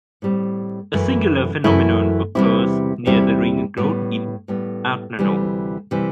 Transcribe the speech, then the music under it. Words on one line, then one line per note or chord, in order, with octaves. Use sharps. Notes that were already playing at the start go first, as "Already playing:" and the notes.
A singular phenomenon occurs near the ring road in Agnano.
A2 G3 C4
F#2 E3 A3 E4
F#2 E3 A3 E4
E2 C3 G3 C4 E4
E2 C3 G3 C4 E4
A2 G3 B3
A2 G3 B3
D2 C3 E3 G3
C3 E3 G3